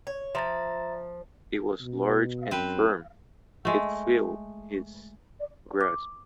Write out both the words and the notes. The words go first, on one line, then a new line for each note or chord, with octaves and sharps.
It was large and firm; it filled his grasp.
C#5
F3 E5 A#5 A6
B2
F#2 C4 B4
G#3 A3
D6